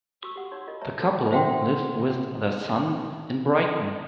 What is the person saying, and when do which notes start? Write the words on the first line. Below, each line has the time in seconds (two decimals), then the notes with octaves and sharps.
The couple live with their son in Brighton.
0.23 F#4 C#6 D6 E6
0.36 G4 F#5 D6
0.51 D#4 C#5 C6
0.67 F4 A#4 D#5
0.81 B4 C#5 E5 A5 A#5
0.98 D#4 F#4 A4 B4 C#5 C6
1.31 C5 E5 F#5 G5 C6